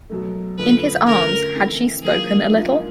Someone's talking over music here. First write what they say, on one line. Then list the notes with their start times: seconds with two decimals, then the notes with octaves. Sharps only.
In his arms had she spoken a little?
0.10 B2 F#3 A3
0.58 F2 D3 F3 A3 B4
1.07 D3 F3 A3 C#4 A#4
1.55 E3 A3 C4 E4
2.02 D#3 F#3 A#3 D4 F4 G#4
2.51 G#2 F3 A#3 D4 F4